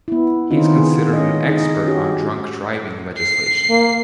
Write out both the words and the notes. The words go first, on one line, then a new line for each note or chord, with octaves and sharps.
He is considered an expert on drunk driving legislation.
B3 E4
D#3 C4 C#4 D#4 F4
B3 G#4
C#4 D#5
D#4 G#4 D#5
C#4 F#4 G4
C7
A#3